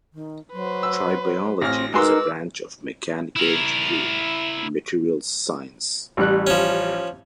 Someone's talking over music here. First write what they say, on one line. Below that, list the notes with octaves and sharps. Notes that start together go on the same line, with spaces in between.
Tribology is a branch of mechanical engineering and materials science.
D#3
F#3 B4 C5
E6
A1 C4 F6 A#6
G#3 D#4 F#4 A#4 B4 D5 C6 E6
E4 A#4
A1 G3 F#6
F3 C#4